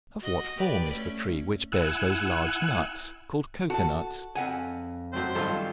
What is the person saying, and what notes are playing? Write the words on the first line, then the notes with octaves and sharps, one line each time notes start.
Of what form is the tree which bears those large nuts, called Cocoa nuts?
F#4 D#5
G4 B4 D5
A3 C#4
E4 F#5 G#5 E6 F#6
F#4 A4 A5
F2 F#3 F#5 G#5
F#2 A3 C4 C5
G#1 G2 F3 F4 A4